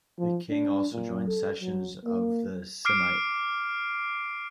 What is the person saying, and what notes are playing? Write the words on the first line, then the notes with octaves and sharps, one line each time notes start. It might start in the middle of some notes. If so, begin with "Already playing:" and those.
The king also joined sessions of the simite.
F3
D4
A#2
A4
F#3
A#3
D6 F6 C7 D7